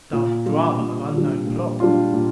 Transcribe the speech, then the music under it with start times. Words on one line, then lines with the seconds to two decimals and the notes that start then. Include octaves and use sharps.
Dark drama of unknown plot!
0.13 A#2
0.46 G3 D4 F4
0.80 A#2
1.13 G3 D4 F4
1.47 A#2
1.80 G3 D4 F4
2.13 A#2